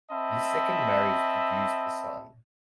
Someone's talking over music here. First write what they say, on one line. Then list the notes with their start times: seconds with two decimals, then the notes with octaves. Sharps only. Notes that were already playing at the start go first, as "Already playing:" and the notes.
His second marriage produced a son.
0.11 C4 D#5 E5 A5 B5